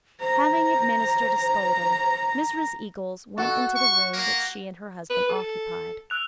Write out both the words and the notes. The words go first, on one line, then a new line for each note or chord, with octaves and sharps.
Having administered a scolding, Mrs. Eagles went into the room which she and her husband occupied.
C5 A#5
F#4 A4
C#6
A#3
B4
A4
E6 F#6 F7